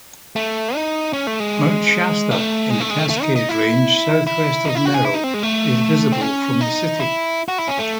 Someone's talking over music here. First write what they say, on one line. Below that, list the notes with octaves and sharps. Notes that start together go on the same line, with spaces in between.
Mount Shasta in the Cascade Range southwest of Merrill, is visible from the city.
A3
D#4
C#4
A3
G#3
A3
G#3
A3
G#3
A3
A3
D#4
D#4
E4
E4
D#4
E4
F#4
G#4
E4
D#4
C4
G#3
A3
C4
C#4
D#4
E4
F#4
E4
C#4
A3